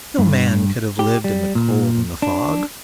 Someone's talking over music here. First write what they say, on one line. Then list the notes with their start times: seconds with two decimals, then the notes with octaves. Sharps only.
No man could have lived in the cold and the fog.
0.19 G2
0.99 G4
1.24 G3
1.55 A#2
2.22 D4